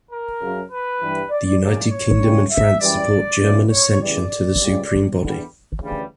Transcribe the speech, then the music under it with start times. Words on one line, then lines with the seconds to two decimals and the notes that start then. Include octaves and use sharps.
The United Kingdom and France support German ascension to the supreme body.
0.09 A#4
0.40 F#2 C#3 F#3
0.70 B4
1.00 G2 E3 G3
1.30 D5
1.60 F#2 C#3 F#3 D5
1.90 C#5
2.20 C#2 C#3 G3
2.50 E5
2.80 F#2 E3 G3 D5
3.40 C#2 C#3 E3 G3
3.70 C#5
4.00 E2 C#3 E3 G3 D5
4.60 C#2 C#3 G3
5.21 E2 D3 G3
5.81 D2 C#3 E3 G3